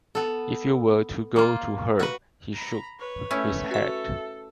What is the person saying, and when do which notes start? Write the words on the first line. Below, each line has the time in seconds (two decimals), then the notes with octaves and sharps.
"If you were to go to her;" He shook his head.
0.15 B3 A4
1.36 A#3 F4
1.99 F#4 B4
2.53 A#5 B5
2.99 B4 C#5
3.31 A3 C#4 E4
3.71 F#4 A4 E5